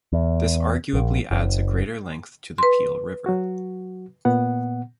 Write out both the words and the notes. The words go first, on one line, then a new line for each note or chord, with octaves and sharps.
This arguably adds a greater length to the Peel River.
E2
A#1
F#1
B4 C6
F#3 F#4
A#2 B3 F#5